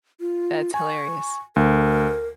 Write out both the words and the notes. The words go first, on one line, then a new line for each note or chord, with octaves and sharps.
That's hilarious.
F4
G#5 C#6
D2 A#4